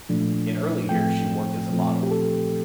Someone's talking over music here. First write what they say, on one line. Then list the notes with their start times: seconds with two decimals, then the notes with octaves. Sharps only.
In early years she worked as a model.
0.09 A#2 F3 A3 D4
0.89 A2 F3 A3 C4 G5
1.70 A#2 F3 A3 C4
2.03 G4
2.11 A4